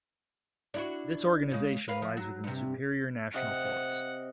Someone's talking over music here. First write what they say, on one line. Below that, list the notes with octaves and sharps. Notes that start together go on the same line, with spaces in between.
This organization lies within Superior National Forest.
D4 E4 F#4
C#3 G#3
A#4 B4 F5
F3
F#3
G2 C3
C3 D#5 F5 F#5